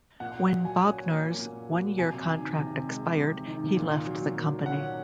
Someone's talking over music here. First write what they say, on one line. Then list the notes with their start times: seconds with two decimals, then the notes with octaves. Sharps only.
When Bognar's one-year contract expired, he left the company.
0.20 A#2 F#5
0.50 F#3
0.65 G#5
0.79 C#4
1.09 A#3
1.38 A#2
1.69 F#3
1.98 C3 G#5
2.28 D#3
2.58 C3
2.87 G#3
3.17 C3
3.47 D#3
3.77 A#2
4.06 F#3
4.36 A#2
4.66 C#4 F#5